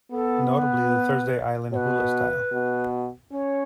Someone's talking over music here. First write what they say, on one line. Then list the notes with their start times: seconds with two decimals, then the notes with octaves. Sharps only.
Notably the Thursday Island 'hula' style.
0.12 B3 A4
0.52 B4
1.72 B2 B4 C#5
2.52 B2
3.32 C#4 C#5